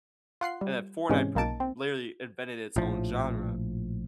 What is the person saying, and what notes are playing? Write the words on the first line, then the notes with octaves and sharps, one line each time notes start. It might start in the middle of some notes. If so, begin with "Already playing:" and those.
and then Fortnite pr literally invented its own genre,
F4 F#5 C6 C7
G3
G#2 C3 E3 G#3 C#4
B1 A#3 D#4 A5 D7
C4
A#1 A2 F3